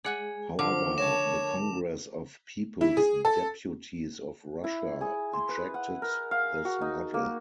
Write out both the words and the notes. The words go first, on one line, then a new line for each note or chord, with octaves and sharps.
However, the Congress of People's Deputies of Russia rejected this model.
G#3 G#4 D5 F#5 G#5
D3 F3 F4 C5 D6
A#4 C#5 A5 E7
E4
G#4
A4
E4
G#4
C6
B4
F#5
A#4
F5
F#4
D#4
A#3